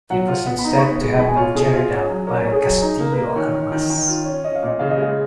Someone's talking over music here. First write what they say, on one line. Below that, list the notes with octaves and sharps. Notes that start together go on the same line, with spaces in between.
It was instead to have been carried out by Castillo Armas.
F#3 F#5
F4
B3 F#5
B5
D#4
A#5
C#6
B3 B5
G#3
B2 B5
G#5
F4 C#5
B2 G#4
F4
C#4
F#3
C#4 A#4
A#4
C#4
G#4
F#3
D#4
A#3 A#4
B4
A#3
A#4
D#3 C#5
D#3
D#3
D#3
F4
C#4
C#4 D#5
F5
A#2
D#5
C#3 F5
D#5
G#3 F5